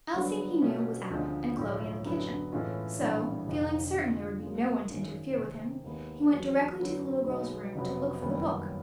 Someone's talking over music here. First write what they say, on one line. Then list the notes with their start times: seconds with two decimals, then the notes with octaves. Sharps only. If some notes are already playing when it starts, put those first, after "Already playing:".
Elsie, he knew, was out, and Chloe in the kitchen; so, feeling certain there would be no one to interfere with him, he went directly to the little girl's room to look for the book.
0.14 G1 G2 D3 F#3 B3
0.62 B2 G#3 C#4 F4
1.10 D2 C#3 F3 G#3
1.57 B1 A2 F3
2.05 F#2 D3 F#3 B3
2.53 A2 E3 G#3 C#4 F4
2.99 A#1 A2 E3 G3
3.47 F1 F2 D3
3.95 F2 D3 F3
4.42 C#3 F#3 A#3
4.89 G#1 F#2 D#3 G#3
5.37 C3 D#3 G#3 C4
5.84 D#2 D#3 G#3 B3
6.32 E2 C#3 F#3
6.80 F#2 D3 F#3 B3
7.27 B1 B2 G#3 B3 D#4
7.75 F1 F2 C#3 F#3 B3
8.22 F#1 F#2 D#3 G3 B3